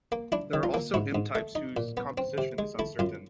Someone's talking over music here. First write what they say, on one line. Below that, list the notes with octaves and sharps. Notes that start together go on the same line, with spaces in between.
There are also M-types whose composition is uncertain.
A#3
D4 E4
D#3
F4
A#3
G#2 E4
G#2
A3
D#4
A#2
B3
C4
C3
G#3
A3 E4
F#2 F4